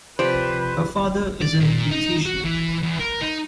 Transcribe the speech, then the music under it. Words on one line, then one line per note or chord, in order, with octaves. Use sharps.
Her father is a beautician.
C3 F3 G4 B4 C5 D5
D5
A#2
D#4
F#4
E3
E2
A#4
D#4